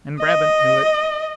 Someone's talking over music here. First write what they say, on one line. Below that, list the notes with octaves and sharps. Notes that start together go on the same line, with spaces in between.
And Braham knew it.
D#5